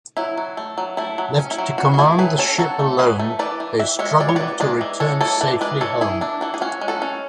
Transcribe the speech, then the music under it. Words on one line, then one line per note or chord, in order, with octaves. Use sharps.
Left to command the ship alone, they struggle to return safely home.
F#3 E4
F#3
A3
F#3
A3 E4
F#3
C#4
E4
F#3
C#4 F#4
F#4
A3 E4 G#4
F#3 G#4 B4
C#4 A4 C#5
F#3 F#4 A4
A3
F#3 G#4 B4
A3
E3 B4 D5
E3
E3 E5
G#3 C#5 E5
G#3 D5
C#5
E3 B4 D5
G#3 B4 D5
E3
G#3 A4 C#5
E3 A4 C#5
E3 B4 D5
G#3 B4 D5
E3 A4 C#5
E3 E4 G#4
D4 E4
E3 F#4
G#4
C#4 F#4
G#3
F#4 A4
C#4